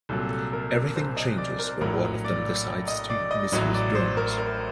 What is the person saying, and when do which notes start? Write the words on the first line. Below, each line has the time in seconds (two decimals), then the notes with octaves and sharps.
Everything changes when one of them decides to misuse drones.
0.09 C2 A#2 F#3 A4
0.31 A4
0.53 A#4
0.74 A#4
0.96 C5
1.17 D#5
1.38 D5
1.59 A#4
1.81 A#1 A2 F#3 A#4
2.24 D5
2.88 D#5
3.10 D5
3.31 D#5
3.52 A1 A2 F#3 D#5
3.74 D5
3.95 C5
4.17 A#4
4.38 A#4